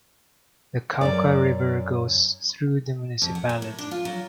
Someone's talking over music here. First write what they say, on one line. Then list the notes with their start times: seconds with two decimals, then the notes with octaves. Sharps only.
The Cauca River goes through the municipality.
1.01 F#2 B2 D5
3.22 F2
3.35 F#5
3.49 A#2
3.62 A2
3.79 D4
3.91 F4
4.05 F#3